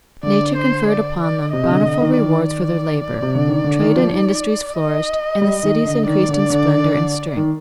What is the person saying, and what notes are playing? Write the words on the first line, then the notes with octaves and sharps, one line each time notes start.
Nature conferred upon them bountiful rewards for their labour; trade and industries flourished, and the cities increased in splendour and strength.
D3 D5
C5
D5
D5
C3 D#5
C3
D3
D3
D#3
D#3 D5
C3
D3
D#3
D3
D#3
F3
D#4
D#5
G3
D#3
D3
D#3 D5
D3
D3
D#3